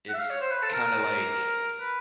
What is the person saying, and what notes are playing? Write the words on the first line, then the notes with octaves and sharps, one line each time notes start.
it's kinda like,
F#5
E5
F5
C#5
C5
B4
A4
A#4
B4